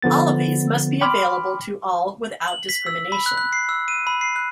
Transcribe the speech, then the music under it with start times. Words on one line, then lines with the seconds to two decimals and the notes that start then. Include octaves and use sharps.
All of these must be available to all without discrimination.
0.02 D3 F3 B3 A6
1.01 G5 B5 C6 D6 F6
2.48 F#7
2.69 B6
2.87 E6
3.12 B5
3.26 F#6
3.38 F#6
3.53 C7
3.69 E6
3.88 D#7
4.07 B5
4.21 C7
4.36 F#6